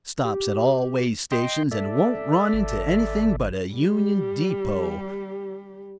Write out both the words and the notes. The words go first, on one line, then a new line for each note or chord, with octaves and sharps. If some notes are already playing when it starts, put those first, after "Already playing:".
Stops at all way-stations and won't run into anything but a union depot.
G4
D#5 G5 C6
A4 D5 E5
G#1
G3 G4